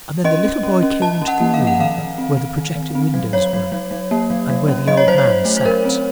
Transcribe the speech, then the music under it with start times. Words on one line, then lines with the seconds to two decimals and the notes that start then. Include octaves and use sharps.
And then the little boy came into the room where the projecting windows were, and where the old man sat.
0.24 C#4 D#5
0.45 C#4
0.63 C#4
0.83 C#4
1.02 F3 A5
1.22 C#4
1.27 F#5
1.41 A#3
1.54 F5
1.60 F3
1.67 F#5
1.79 D#3 F5
1.98 D#3
2.18 C4
2.37 C4
2.56 D#3
2.76 D#3
2.95 C4
3.14 F#3
3.33 F#3 C#5
3.53 F#3
3.72 F#3
3.91 F#3
4.11 A#3
4.30 F#3
4.50 F#3
4.68 C#4
4.88 F#3 D#5
4.97 C#5
5.07 F#3 C5
5.18 C#5
5.26 F#3
5.45 A3
5.57 C5
5.65 F#3 A#4
5.85 C4